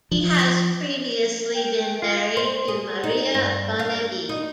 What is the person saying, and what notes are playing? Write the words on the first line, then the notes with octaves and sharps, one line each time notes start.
He has previously been married to Maria Bonnevie.
F3
G5
F4
C5
G#4
D#4
G2
F5
D#4